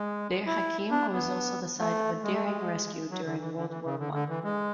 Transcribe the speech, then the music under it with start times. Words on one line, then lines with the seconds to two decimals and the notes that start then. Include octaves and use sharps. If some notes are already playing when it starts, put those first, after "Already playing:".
Bir Hakeim was also the site of a daring rescue during World War One.
Already playing: G#3
0.47 E4
0.91 D4
1.13 B3
1.80 A3
2.23 G#3
2.34 A3
2.45 G#3
3.11 F#3
3.25 D3
3.40 E3
3.55 D3
3.70 E3
3.85 C#3
3.99 D3
4.14 D3
4.29 E3
4.44 G#3